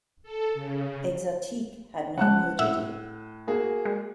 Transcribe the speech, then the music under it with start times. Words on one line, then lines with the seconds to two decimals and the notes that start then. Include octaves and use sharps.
"Exotique" had no nudity.
0.23 A4
0.54 C#3
2.18 C#3 G#3 F#5 A5 F#6
2.59 A2 E5 F#5 E6
3.47 A#3 F#4 G#4
3.85 G#3